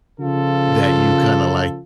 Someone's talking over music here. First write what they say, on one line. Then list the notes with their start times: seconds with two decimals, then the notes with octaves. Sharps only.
that you kinda like
0.20 C#3 F3 F4 A4